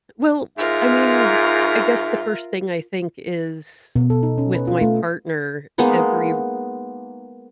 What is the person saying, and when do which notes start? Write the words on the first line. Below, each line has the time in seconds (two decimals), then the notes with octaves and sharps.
well, I mean, I guess the first thing I think is with my partner, every r
0.58 G#2 F4 A#4 E5
3.96 B2
4.10 A4
4.23 D#4
4.38 C#4
4.55 B4
4.67 F4
4.81 A3
5.78 G#3 A#3 B3 D#4